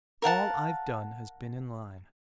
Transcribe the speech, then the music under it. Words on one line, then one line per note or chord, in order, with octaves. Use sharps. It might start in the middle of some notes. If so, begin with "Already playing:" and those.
All I've done has been in line.
A#4 F5 F#5 A5